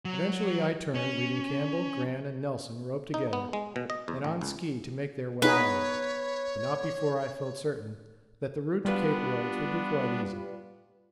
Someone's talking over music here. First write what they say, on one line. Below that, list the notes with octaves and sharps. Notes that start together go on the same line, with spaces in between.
Eventually I turned, leaving Campbell, Gran, and Nelson roped together and on ski to make their way onward, but not before I felt certain that the route to Cape Royds would be quite easy.
F#3
C#4
D#4
B3
G#3
B2
D#5
E2
A1
C#2
B3 D#4 G#4 B4 C#5
G3 B3 D4 F4 B4